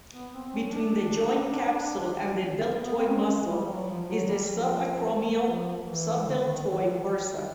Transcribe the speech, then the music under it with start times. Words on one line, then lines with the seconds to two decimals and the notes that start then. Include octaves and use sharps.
Between the joint capsule and the deltoid muscle is the subacromial-subdeltoid bursa.
0.13 B3
0.33 C4
0.53 C#4
0.64 C#4
0.72 D4
2.84 B3
2.96 C4
3.09 C#4
3.28 G#3
3.49 G3
3.67 F#3
3.87 F3
4.08 F#3
4.27 G3
4.47 F3
5.45 F3
5.85 E3
6.24 D3
6.44 D#3
6.64 E3
6.83 F3
7.02 G3